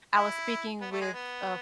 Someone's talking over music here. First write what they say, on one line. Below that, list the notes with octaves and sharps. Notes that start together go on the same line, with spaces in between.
I was speaking with a
E4
B3
A3
G#3
B3